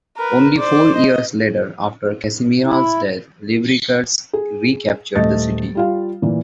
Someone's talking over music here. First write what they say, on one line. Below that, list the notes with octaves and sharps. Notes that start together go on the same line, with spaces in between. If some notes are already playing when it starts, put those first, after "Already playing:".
Only four years later, after Casimir's death, Liubartas recaptured the city.
A#4 B4
C5 D5
D#5
E4
G#4
D#1 A3 D#5 A6
G3 F4 F5
A#2 E3